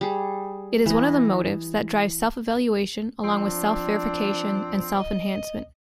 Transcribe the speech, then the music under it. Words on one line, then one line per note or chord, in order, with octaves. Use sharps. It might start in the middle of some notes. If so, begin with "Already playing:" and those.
It is one of the motives that drive self-evaluation, along with self-verification and self-enhancement.
G3 G#4
E3 D#5
F3 C4 D4
D#5